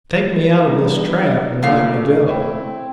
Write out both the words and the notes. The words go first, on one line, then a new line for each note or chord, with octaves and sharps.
Take me out of this trap and let me go.
E3 G3 B3 D4 D#4
D#2 A#2 C#3 A3 A4 F5
C4 E4